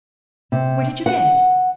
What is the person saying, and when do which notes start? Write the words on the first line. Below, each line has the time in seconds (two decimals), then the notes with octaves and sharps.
Where did you get it?
0.52 C3
1.06 F#5